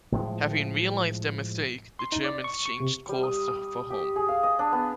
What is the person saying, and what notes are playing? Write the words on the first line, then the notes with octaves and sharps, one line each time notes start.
Having realised their mistake, the Germans changed course for home.
A2 F3 G#3
C6
D#4
D5
C#6
C#6
C3
G3
D#6
D#6
G4
G#4
F5
D#5
D4
B3